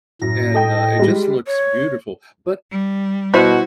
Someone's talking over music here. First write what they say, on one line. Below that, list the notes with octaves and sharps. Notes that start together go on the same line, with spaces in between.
and, uh, it just looks beautiful, but
F#2 A2 A#6
A4 D#5 G5
G3 G#3
C#5
G3
B2 E4 F#4 C5